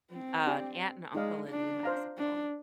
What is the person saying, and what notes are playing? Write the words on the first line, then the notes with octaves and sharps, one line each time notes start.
mm an aunt and uncle in New Mexico.
C4
D4 G4 D5 G5
G#3 D#4 G#4 D5 F5
D4
C5 F5 A#5
D4